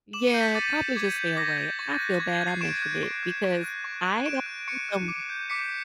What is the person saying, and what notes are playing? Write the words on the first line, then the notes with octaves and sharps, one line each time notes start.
yeah, probably just stay away. I feel bad I mentioned it because I don't eat them
D6 E7 F#7
C#7 D#7
G6
B6
D6 A6
G6
D6 G#6
G6
D6 A#6
G6
C#6 A6
F#6
C#6 G#6
G#6
F#6
C7
C#6 D7 E7
F#6
C#6
F#6
C#6
F#6
C#6
F#6
C#6 D7 E7
F#6
C#6 C#7 D#7
F#6
D6
G6
D6 B6 C#7